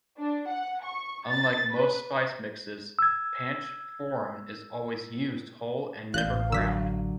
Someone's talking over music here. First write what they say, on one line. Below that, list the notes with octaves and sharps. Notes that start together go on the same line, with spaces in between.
Unlike most spice mixes, panch phoron is always used whole and never ground.
D4
F#5
C#6
A6
B4
E6 G#6
A1 F5 F#6 G6
D3 F#3 E6 B6